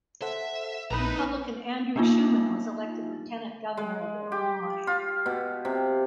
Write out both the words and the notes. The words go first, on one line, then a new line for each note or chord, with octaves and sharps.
Republican Andrew Shuman was elected Lieutenant Governor of Illinois.
A4 C5 E5 F#5
A#1 D#4 E4 B4 A#5
A#3 B3 D4 D#4 F4
G#3
G4
F4
B2
C3